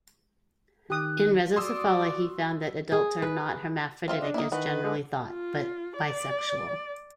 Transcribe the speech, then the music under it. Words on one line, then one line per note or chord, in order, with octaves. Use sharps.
In rhizocephala, he found that adults are not hermaphroditic as generally thought, but bisexual.
D#3 G4 D#6 F#6
F#4 D5 C6 D#6 E6
G#4
B4
C4 F4 E5
D4 D#5
A#3 D#4 E4
D#3 E3 B4 F#5
G#3
F4
D5